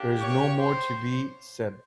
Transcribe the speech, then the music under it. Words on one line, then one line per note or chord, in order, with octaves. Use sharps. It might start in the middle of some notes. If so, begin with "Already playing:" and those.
Then there is no more to be said.
Already playing: A#3 D4 G4
C#5 C#6
C5 C6